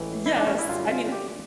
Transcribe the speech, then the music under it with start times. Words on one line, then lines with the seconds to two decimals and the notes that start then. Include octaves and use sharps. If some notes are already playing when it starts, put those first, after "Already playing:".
Yes, I mean,
Already playing: A1 A2 E3 G#3
0.26 E4
0.37 D4
0.47 C#4
0.59 E4
0.69 F#2 D3 G3 F4
0.91 F4
1.12 G4